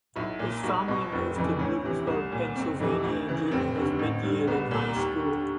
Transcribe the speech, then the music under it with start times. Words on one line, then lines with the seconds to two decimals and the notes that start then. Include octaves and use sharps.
His family moved to Bloomsburg, Pennsylvania during his mid-year in high school.
0.16 B1 E4
0.39 A#2
0.63 B1 F#4
0.88 B2
1.12 F1
1.36 F2 C#3 E3
1.59 D2 C#4
1.84 C3 E3
2.07 C2
2.32 A#2
2.55 F#1 C4
2.80 F2 C3 E3
3.04 D2
3.28 C#3 E3
3.51 F1 C4
3.75 D#2 D3
3.99 A1
4.23 G2 D3
4.47 C2 B3
4.71 A#2
4.95 D#2
5.20 D3